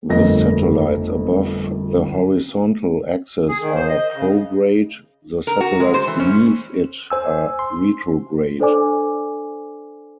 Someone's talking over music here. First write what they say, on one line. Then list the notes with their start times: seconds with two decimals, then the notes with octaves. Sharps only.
The satellites above the horizontal axis are prograde, the satellites beneath it are retrograde.
0.09 G1 F2 A3 A#4 D#5 A#6
3.49 G#4
3.61 D#3
3.76 C5
3.89 D#5
4.15 C#3
5.47 A#4
5.60 F#4
5.80 G#3
5.94 C5
6.07 E3
6.20 C#4
7.10 C5 G#5 E6
7.59 C6
8.59 D4 A4 C5 D5 G#5 D6